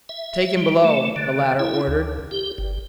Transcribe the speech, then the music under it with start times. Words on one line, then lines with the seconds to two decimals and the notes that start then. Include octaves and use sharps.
"Take him below!" the latter ordered.
0.09 E5
0.57 G3
0.84 A3
1.16 D3
1.59 E4
1.87 D2
2.31 G4
2.58 G1